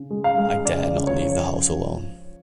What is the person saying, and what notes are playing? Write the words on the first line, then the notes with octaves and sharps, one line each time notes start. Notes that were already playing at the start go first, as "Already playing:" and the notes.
I dare not leave the house alone.
Already playing: C#3
G#3
F5
G#3
C#3 D5
C#2
C#5
F3